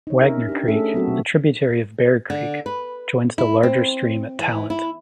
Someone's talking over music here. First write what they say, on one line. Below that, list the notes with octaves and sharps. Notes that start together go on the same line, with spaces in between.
Wagner Creek, a tributary of Bear Creek, joins the larger stream at Talent.
D#4 C#5
C#4 A#4 E5
D4 G4
A3 C#4 G#4 A4 E5
F#3 B3 C4 F#4 A4
B2
D3
B4
E4
C4
E3
E4